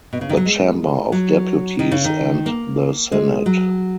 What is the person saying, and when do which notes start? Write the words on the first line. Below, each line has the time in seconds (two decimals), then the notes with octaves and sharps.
The Chamber of Deputies and the Senate.
0.13 B2
0.21 C#3
0.29 D#3
0.37 F#3
0.45 G#3
1.12 F#3
1.79 D#3
1.91 C#3
2.04 D#3
2.46 A#3
3.12 G#3
3.46 F#3